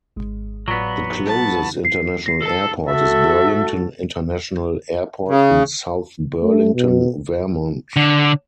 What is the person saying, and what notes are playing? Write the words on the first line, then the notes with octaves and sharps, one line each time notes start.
The closest international airport is Burlington International Airport in South Burlington, Vermont.
G#1 G#3
A2 F#3 B3 F4 D5
A5
C7
A#6 C7
A4 A5
F#4 A4 E5
C#3
A3
B2
D3